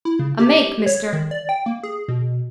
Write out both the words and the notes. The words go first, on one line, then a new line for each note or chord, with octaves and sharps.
A make, mister.
E4
C#3
G4
C#5
D#3
D5
G5
A#3
G#4
B2